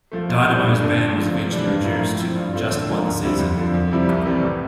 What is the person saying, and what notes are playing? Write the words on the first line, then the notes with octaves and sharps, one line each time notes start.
Dynamo's ban was eventually reduced to just one season.
F3 A3
A#2
G3 C4 E4
G2
D3 A3 D4
G2
D3 F3
C3
E3 G3 D4
G2
F3 A#3 E4
A2
F3 C4 E4
G2
F3 A3 C4 F4
D3
F3 A#3
D2
D3 G3 C4 E4
F2
D3 F3
F2
C3 G3 C4 E4
C2
C3 E3 G3 C4
A2